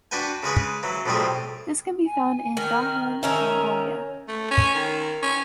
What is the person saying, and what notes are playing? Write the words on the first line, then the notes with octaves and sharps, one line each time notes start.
This can be found in Darhan, Mongolia.
D4 F#4 B4 G5 G#5
C#3 G#3 G#4 B4
E3 F#3
B1 F2 A2 G3 C4 G#4
G#5
D#3 F6
D#3 C#4 E5 A#5
A3
C#4
D#3
C#4